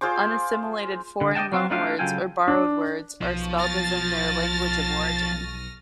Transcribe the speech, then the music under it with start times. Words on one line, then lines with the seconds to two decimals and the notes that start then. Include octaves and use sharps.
Unassimilated foreign loanwords, or borrowed words, are spelled as in their language of origin.
0.01 F4 G#4 C5 D6
1.21 D3
1.35 D5 D#5 F#5 G5 A5
1.52 F#3 G3 C4 F4 F#4 F5
1.71 A3 D4 D#4 F4 G4 F5
1.99 C#3 F#3 F4 A4 G5 G#5
2.48 D4
3.21 B1 F3 C#6 D#7
3.57 F6 A6 A#6